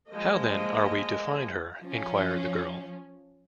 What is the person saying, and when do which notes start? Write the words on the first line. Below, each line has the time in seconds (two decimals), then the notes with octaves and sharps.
How, then, are we to find her? enquired the girl.
0.11 F3 G#3 A#3 D#5
1.82 F3 C#4